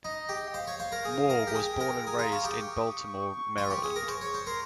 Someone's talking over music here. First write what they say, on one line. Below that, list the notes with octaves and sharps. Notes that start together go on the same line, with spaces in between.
Moore was born and raised in Baltimore, Maryland.
D#4 D#5
G4
G5
C5 F5
C#5
C5 F5
A#4
G#4
A#4
G4
G#4 G5
A#4
G#4 A#5
F4 A#5
F4 C#6
G4 D#6
C#6
D#6
C#6
C#6
F4
G4
G#4
A#4
C5 C#6
C#5 C#6
C5
A#4 C6